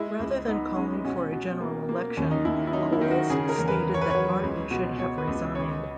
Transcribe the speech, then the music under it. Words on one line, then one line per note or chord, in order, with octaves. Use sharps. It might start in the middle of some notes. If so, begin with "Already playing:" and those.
Rather than calling for a general election, Cools stated that Martin should have resigned.
Already playing: G#3 E4
C#2
B3 D#4
G#3 C#4
B2 C#4
B2
A#3
A#3
D#2 C#4
D#4
D#2 E4
E4
F#3 D#4
E4
D#3
F#4
C#3 G#4
A#4
E2
B4
E2
C#5
B4
F#3 C#5
C#2
B2
B2 C#5
B4
C#2
C#3 C#5